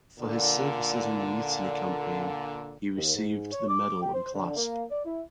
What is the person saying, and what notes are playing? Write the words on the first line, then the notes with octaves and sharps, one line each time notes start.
For his services in the Mutiny campaign he received the medal and clasp.
A#2 D3
D#2
G#2
C#5
D6
G4
C5
D3
A#3
D5
E4